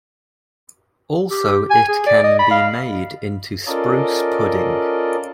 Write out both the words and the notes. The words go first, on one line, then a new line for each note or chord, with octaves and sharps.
Also it can be made into spruce pudding.
G4
G#5
G#4
D5
D#5
B5
F5
C#4 F4 A4 A#4 D5 D#5